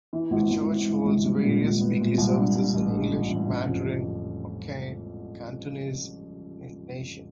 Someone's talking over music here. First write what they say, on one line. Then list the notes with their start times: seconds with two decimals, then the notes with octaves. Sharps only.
The church holds various weekly services in English, Mandarin, Hokkien, Cantonese, and Indonesian.
0.13 E3
0.31 G#1
0.50 G#1
0.68 E3
0.87 G2
1.05 G#1
1.25 G3
1.43 A#2
1.63 C2
1.80 B3
2.00 A#2
2.18 C2
2.38 G2
2.56 G2
2.74 A1
2.94 G2
3.11 G2
3.30 A1
3.49 C#3
3.68 F2